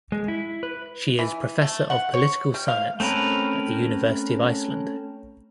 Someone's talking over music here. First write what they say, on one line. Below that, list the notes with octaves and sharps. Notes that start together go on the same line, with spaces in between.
She is Professor of Political Science at the University of Iceland.
G#3
E4
B4
E3
A3
F#5
C#5
G3
F5
A3 C4 C#4 A#4 B4